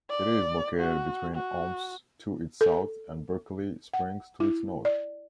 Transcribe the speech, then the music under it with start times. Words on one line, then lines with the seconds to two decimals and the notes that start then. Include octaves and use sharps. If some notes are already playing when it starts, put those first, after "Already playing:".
It is located between Omps to its south and Berkeley Springs to its north.
0.10 D5
0.80 F#4
1.35 F#4
2.61 A4
3.93 F#5
4.40 E4
4.85 D5